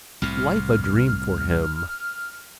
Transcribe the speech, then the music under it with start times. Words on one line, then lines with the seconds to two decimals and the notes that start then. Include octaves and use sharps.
Life a dream for him.
0.22 C2 A2 C3 F6